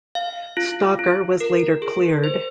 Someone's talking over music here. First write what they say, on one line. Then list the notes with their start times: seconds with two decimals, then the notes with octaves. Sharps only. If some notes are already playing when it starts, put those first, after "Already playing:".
Stalker was later cleared.
0.15 F5
0.57 F4
0.99 F4
1.40 A#4
1.82 G#4
2.24 C5